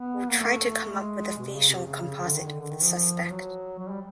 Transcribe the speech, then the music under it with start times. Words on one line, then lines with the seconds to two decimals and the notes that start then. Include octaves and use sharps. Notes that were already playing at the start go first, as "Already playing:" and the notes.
We’ll try to come up with a facial composite of the suspect.
Already playing: B3
0.30 A#3
0.42 A3
0.89 G#3
1.39 B2
1.46 C3
1.54 C#3
1.69 C3
1.86 C#3
2.17 C#3
2.25 D3
2.35 D#3
2.46 D3
2.60 D3
2.70 D#3
2.82 F3
3.24 F3
3.30 F#3
3.79 F#3
3.90 G3